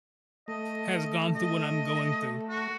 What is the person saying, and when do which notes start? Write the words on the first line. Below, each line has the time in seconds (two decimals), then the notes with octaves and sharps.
has gone through what I'm going through.
0.48 A3 D#5
1.35 D#5
2.49 F#4